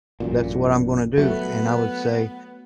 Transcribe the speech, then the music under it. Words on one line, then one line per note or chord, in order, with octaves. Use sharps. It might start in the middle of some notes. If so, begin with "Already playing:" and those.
that's what I'm gonna do," and I would say,
A1 F#2 A#2
F#3 A3 B3